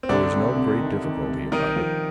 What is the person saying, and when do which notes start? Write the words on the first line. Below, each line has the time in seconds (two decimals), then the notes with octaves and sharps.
There was no great difficulty about it.
0.03 C4
0.09 C2 D3 D4
0.33 C3
0.56 C3
0.81 D#3
1.05 D#3
1.28 C2
1.52 C2 D#3 D#4
1.76 F3